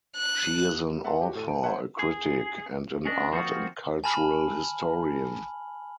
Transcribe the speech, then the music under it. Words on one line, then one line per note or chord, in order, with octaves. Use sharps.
She is an author, a critic, and an art and cultural historian.
F#6
E5 F#5 G5 A5 A#5 C6
F#4 G4
A2 A4 D#7
C5 D7
C5 C#5 E5 F#5
G#4
C#4 D4 D#5
F3 A#3 C4 D#4 F4 F#4
G#5 A5 B5 F6 F#7